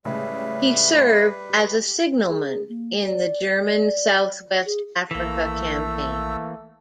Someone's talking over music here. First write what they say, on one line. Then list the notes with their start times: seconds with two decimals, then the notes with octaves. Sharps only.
He served as a signalman in the German South-West Africa campaign.
0.05 A2 C#3 G3 G#3 B4 E5
1.49 G4
2.29 G#4
2.69 A#3
3.05 D5
4.66 G#4
5.11 A#1 E3 A3 A#3 E6